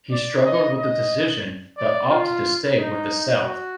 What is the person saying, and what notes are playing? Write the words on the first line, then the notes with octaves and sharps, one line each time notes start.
He struggled with the decision, but opted to stay with the South.
D5
D#5
D#5
D5
F4
D#4
F#4